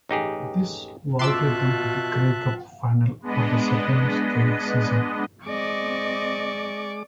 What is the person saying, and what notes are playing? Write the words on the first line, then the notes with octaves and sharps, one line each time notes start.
This vaulted them to the Grey Cup final for the second straight season.
A1 D#4 G4 G#4
B2 F4 E5 A5 C6 D6 E6 F#6
G#3 B3 D4 B4 D#5
G#3 C4 D5 D#5 C#6 D6